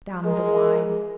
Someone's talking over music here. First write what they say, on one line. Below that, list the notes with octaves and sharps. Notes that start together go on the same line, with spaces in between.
Damn the wine!
G#3 G#4 A#4